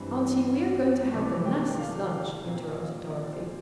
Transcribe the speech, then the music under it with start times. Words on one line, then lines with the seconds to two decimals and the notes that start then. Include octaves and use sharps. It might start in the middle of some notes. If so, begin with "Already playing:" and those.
"Aunty, we are going to have the nicest lunch," interrupted Dorothy.
Already playing: G2 E3 G3 C4
1.12 C2 C3 E3 A3 A5
1.45 G5
1.78 F5
2.44 A#2 F3 C4
3.10 D5
3.33 C5